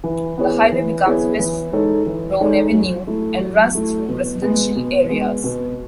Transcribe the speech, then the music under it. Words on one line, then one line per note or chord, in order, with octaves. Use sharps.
The highway becomes West Roane Avenue and runs through residential areas.
E3
B3 E4 G#4 C#5
E3
B3 E4 G#4 C#5
E3
G#3 D#4 A4 C#5
E3
G#3 D#4 A4 C#5
F#3
A3 E4
F#3
A3 E4
B2
G#3 B3
B2
G#3 B3
B2